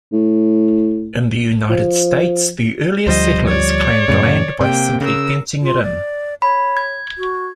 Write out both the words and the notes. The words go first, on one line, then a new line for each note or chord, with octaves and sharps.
In the United States, the earliest settlers claimed land by simply fencing it in.
A2
F3
D2 F3 G3 C5 D#5
C#5 D5
F#2 A2 C#3
C3 A#3 G5
C#3 A#4 E6
F4
D5
C#5 B5
G#6
F#4